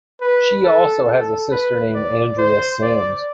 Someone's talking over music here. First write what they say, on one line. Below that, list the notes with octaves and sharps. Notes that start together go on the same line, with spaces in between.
She also has a sister named Andrea Sams.
B4
A4
A4
B4
D5
C5
D5